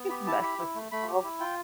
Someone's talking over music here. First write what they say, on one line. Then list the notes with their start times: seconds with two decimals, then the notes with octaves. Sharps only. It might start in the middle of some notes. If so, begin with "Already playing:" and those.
Just mess with people.
Already playing: B3
0.10 G4 B5
0.27 E4 A5
0.43 G4 B5
0.58 E4
0.75 A3
0.92 A3 B5
1.08 G4
1.24 E4
1.40 F4 G5